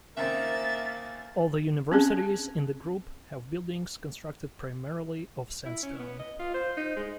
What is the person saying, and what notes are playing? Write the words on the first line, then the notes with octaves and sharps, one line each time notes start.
All the universities in the group have buildings constructed primarily of sandstone.
C#2 D#3 A#3 C4 E5 A6
C4 C#4 G#4
E4
C#4
B3
D#5
F4
C5
D#4
G#3